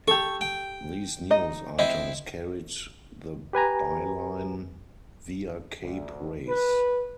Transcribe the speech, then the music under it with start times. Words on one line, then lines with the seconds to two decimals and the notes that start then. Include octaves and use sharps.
These news items carried the byline "via Cape Race".
0.08 G4 A4 C#6
0.41 G5
1.30 D#4 D#5
1.79 C4 E4 D#5
3.53 G4 B4 G#5 A#5
5.81 D2
6.49 B4